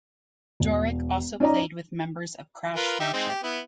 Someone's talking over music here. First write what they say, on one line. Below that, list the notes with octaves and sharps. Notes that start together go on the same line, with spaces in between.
Doerck also played with members of Crash Worship.
E1
C#4 D#4 D5 D#5 A#5
F4 A#4 B4
D#4 G4 E5
G#3 C4 D#4
G4
B3 E4